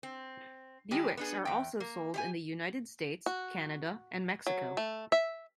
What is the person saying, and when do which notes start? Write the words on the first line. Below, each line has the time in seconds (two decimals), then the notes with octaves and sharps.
Buicks are also sold in the United States, Canada, and Mexico.
0.03 C4
0.91 D#3 G3 G#3 G4
1.17 B3 D4 G#4
1.45 E2 G5
1.80 A#3
2.14 G4 D5 G#5
3.26 F#4
4.47 F#3
4.77 A3
5.12 E5